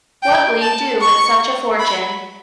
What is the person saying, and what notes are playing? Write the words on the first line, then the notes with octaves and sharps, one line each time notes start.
What will you do with such a fortune?
G5
A5
C#6
B5